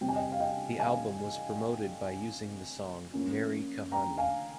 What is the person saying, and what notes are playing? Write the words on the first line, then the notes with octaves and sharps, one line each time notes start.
The album was promoted by using the song "Meri Kahani".
C3 G3 C4 G5
G#5
D#5 G5
F5
D#5 G5
F5 G#5
F3 A#3 C#4
G5 A#5
F5 G#5